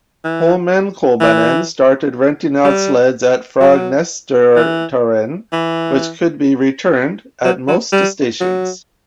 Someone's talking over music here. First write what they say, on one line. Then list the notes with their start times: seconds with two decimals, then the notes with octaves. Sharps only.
Holmenkolbanen started renting out sleds at Frogneseteren, which could be returned at most stations.
0.24 E3
1.20 E3
2.64 G3
3.60 F#3
4.56 E3
5.53 E3
7.45 F#3
7.68 F#3
7.92 G3
8.40 F#3